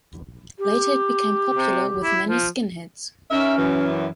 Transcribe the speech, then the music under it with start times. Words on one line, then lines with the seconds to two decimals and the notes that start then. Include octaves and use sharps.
Later it became popular with many skinheads.
0.59 G4
1.54 C3
2.04 E4
2.28 F3
3.31 C#4 D#4 A#4 E5
3.57 F#2 E3